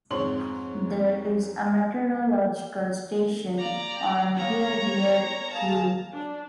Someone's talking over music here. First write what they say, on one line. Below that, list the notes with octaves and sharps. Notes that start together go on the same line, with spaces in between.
There is a meteorological station on Hereheretue.
F2 G#2 F3 C#5 C6 F#7
A#3 D5 A#5
G4
A#3 B3 A#4 C#5 A#5
G#4 A#4 F5 A5 A#5
D4